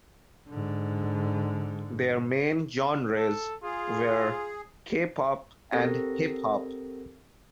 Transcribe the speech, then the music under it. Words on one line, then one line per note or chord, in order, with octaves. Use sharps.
Their main genres were K-pop and hip-hop.
G#2 D3
A4
F4 G#4
C4 G4 A4 A#4 A#6